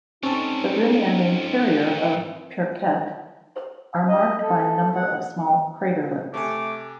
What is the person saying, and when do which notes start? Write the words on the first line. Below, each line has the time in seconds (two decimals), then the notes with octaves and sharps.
The rim and interior of Pirquet are marked by a number of small craterlets.
0.23 G#2 G3 C4 C#4 D#4 A4
4.08 D#5
4.42 A4
4.95 F#5
6.34 C3 A3 G#5 D6